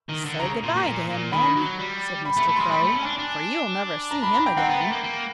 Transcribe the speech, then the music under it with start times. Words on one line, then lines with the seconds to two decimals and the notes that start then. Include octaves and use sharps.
"Say good-by to him then," said Mr. Crow, "for you'll never see him again."
0.09 D#3
0.25 D3
0.40 C#3 A#5
0.63 A#2
0.75 A#2
0.87 A#2
1.09 A#2
1.32 D#3 B5
1.56 F#3
1.79 G3
2.25 B5
2.37 A3
2.41 B5
2.49 A3
2.56 G#3 C6
2.72 G3 B5
2.83 A3 A5
2.95 C#4
3.02 D4 G#5
3.18 D4
4.11 A#5
4.23 B5
4.34 A#5
4.46 G5
4.57 C4 F#5
4.69 B3
4.80 A3
4.92 A#3
5.04 A#3